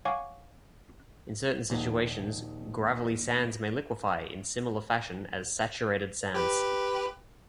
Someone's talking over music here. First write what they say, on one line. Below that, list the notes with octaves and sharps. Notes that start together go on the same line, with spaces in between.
In certain situations gravelly sands may liquefy in similar fashion as saturated sands.
C#5 F5 F#5 G#5 C#6 D6
A#1 D#2 F#5 A#5
G4 B4